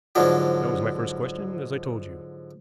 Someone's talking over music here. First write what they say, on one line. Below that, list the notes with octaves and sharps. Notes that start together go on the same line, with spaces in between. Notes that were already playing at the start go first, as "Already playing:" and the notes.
That was my first question, as I told you.
G#2 D3 F3 F#3